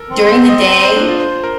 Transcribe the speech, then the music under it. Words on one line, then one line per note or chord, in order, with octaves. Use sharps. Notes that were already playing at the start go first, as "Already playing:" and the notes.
during the day,
Already playing: A4 A#4
C4
C5
C5
D#5
D#5
C5
D4
F4
C5
A#4